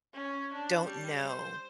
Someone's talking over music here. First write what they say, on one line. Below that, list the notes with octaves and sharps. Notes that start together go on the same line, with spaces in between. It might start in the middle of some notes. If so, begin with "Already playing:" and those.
don't know
C#4
D4
G3
C5